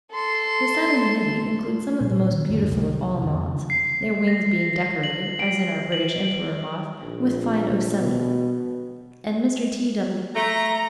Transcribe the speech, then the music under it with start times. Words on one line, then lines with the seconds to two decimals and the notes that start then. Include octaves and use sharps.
The Saturniidae include some of the most beautiful of all moths, their wings being decorated, as in our British Emperor moth, with fine ocelli; and Mr. T.W.
0.11 A4 C6
2.01 A#2 F3 A#3
2.32 D#3
2.49 F2 A2 D3 G3
2.69 C2 C3 F#3 A#3
3.22 F2 D3 D#3
3.47 C#3
3.70 C7
4.27 A#6
5.03 F#7
5.40 D7
5.92 F#7
7.01 A#1
7.99 B2
10.35 A3 A#5